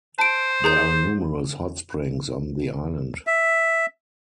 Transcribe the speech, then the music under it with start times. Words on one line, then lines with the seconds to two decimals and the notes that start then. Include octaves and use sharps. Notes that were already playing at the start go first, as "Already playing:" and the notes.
There are numerous hot springs on the island.
0.19 C5 A5 D7
0.64 G#4 A#5 G6
3.27 E5